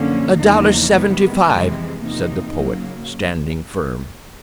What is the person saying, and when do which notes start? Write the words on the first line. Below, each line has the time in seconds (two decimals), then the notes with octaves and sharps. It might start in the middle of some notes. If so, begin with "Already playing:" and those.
"A dollar seventy-five," said the poet, standing firm.
Already playing: F#2 D3 F3 A#3 C#4
0.38 E2 C#3 F3 A#3 D#4
0.92 C3 D#3 G#3 B3
1.47 F2 C3 E3 G#3
2.01 E2 C3 F3 A#3 D#4
2.55 C#3 F#3 A#3